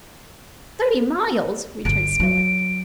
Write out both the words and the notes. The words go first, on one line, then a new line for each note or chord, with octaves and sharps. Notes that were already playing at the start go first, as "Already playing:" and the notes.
"Thirty miles!" returned Spilett.
G1 D3 D7
F#3